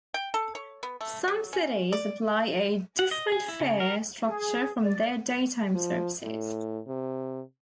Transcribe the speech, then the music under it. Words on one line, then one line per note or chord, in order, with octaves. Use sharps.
Some cities apply a different fare structure from their daytime services.
G5
A4
C#5
B3
A3
F#3
C#4
D5
F#5
D#5
G#4
E4
C#3
A#4
G#4
D5
F3
A2
C3